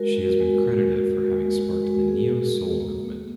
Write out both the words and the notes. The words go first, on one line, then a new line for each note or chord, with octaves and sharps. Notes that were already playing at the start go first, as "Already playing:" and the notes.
She has been credited for having sparked the neo-soul movement.
Already playing: G#3 F#4 A#4
F#4
G#3
G#3
F#4
G#3
G#3
F#4
G#3
G#3 G#4
F#4
G#3
A#3
A#3